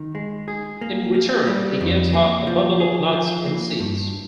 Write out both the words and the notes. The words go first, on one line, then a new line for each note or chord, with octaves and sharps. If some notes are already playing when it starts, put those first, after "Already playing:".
In return, he gives her a bundle of nuts and seeds.
Already playing: D#3
G#3
G#4
A#3
A#3
G3
F2
A#3
F3
G#4
F3
A#3
G2